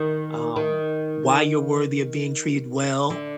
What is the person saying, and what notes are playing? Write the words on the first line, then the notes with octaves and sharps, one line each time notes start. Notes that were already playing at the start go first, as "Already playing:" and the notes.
um, why you're worthy of being treated well,
Already playing: D#3
D#3
D3